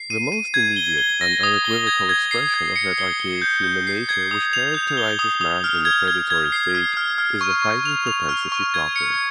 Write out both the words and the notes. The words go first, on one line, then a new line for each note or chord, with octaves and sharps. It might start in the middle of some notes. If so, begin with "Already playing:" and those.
The most immediate and unequivocal expression of that archaic human nature which characterizes man in the predatory stage is the fighting propensity proper.
Already playing: C7
D#7
D#7
G#6
G7
G7
A#6
D#6
G7
G#6
G#6
C7
G#6
C#7
G7
G7
G6
G6
C7
G#6
D#6
F7
G6
G7
D#6
D#6
F6
G#6
G#6
G#6
C7
F6
F6
F6
C#6
C#6
F7
F7
F6
C#6
G#6
C#7